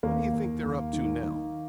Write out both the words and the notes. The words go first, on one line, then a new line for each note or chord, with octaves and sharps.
'What do you think they're up to now?'
D#2 A#3 A#4
D#2
D#2
D#3
D#3